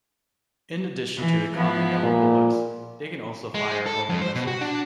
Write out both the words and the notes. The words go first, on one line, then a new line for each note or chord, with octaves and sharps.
In addition to the common yellow bullets, they can also fire homing missiles.
E3
F3 B3 E4
A#2
G#3
A4
F2
C5
B2
F#4
D4